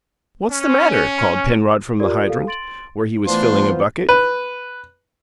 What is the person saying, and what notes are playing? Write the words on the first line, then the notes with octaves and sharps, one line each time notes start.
"What's the matter?" called Penrod from the hydrant, where he was filling a bucket.
C#4
F4 G4 A#4 D5
A4 F5
C6 A6 D7 F#7
E3 A3 B3 D4 F4 C5 C6
B4